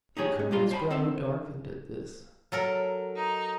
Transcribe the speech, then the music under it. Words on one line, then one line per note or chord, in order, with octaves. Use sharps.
The Colonel's brow darkened at this.
D#4 G4 G#4 C#5
G#2 C#4
B1 A#2 D#4 F4 C6
C5 G5 A5 B5
C4 A4 C5 E5
F#3 A4 A#4
D#4